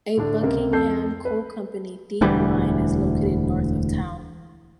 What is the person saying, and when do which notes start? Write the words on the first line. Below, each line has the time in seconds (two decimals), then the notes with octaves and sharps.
A Buckingham Coal Company deep mine is located north of town.
0.17 A2 D3 D4
0.42 C#2 C3 A#3
0.72 F2 A4 G6 C7
1.25 B4
2.21 E1 D2 E3 G3